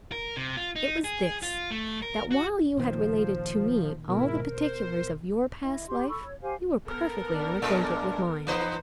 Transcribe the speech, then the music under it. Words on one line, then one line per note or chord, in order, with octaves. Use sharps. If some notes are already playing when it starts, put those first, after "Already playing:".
"It was this,--that while you had related to me all the particulars of your past life, you were perfectly unacquainted with mine."
A#4
C3
F4
D#4
G#4
F4
A3
A#4
F#4
A#2 D#3 F3 C5
G#2 B2 E4 A#4
C5
E4 D#5
G4 C6
A4 B5 C#6 E6
C#5
G4 C5 F5 G#5
B3 A4 A#4
D4
A#2 G#3 D4
E3 D#4 B4 C5